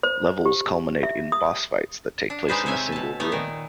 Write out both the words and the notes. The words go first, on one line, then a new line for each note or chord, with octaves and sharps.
Levels culminate in boss fights that take place in a single room.
C5
G4
E5
D#6
D4
G#3 D#4 B4 C5
C3 C4 C#5 E5 G#5
B2 A5
A3 B3 D#4
A#2 D#3